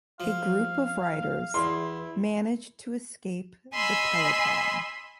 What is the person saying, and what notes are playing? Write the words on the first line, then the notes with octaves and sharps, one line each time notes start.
A group of riders managed to escape the peloton.
F3 F5
E2 E4 C6
D#5 G#5 B5 C6 E6